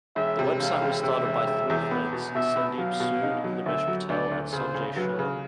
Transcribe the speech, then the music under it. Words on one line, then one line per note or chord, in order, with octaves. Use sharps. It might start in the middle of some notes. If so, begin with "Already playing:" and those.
The website was started by three friends, Sandeep Sood, Nimesh Patel and Sanjay Shah.
E1 E5
C3
E1 F5
E1
C3 E5
E1
E1
E2
B3
B2
B2 E5
B3
F#3 F5
B2
D#4
F#3
D2 E5
F#3
D2 D5
D2
C#3 C5
C#3
F#3 B4
C#3